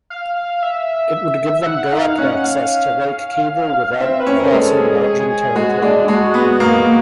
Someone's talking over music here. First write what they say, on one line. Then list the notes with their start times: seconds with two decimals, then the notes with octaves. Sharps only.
It would give them direct access to Lake Kivu without crossing Belgian territory.
0.10 F5
0.36 F5
0.63 E5
1.66 F#5
1.92 D#4 F5
2.18 C#4 F#5
2.44 F5
4.00 C4 E5
4.20 B4
4.27 C#4
4.39 A#4
4.52 G#3
4.59 A4
4.79 G#4
5.04 G#4
5.30 G#4
5.56 G#3 F#4
5.82 G#3 D4
6.08 G#3 F#4
6.34 B3
6.60 A#3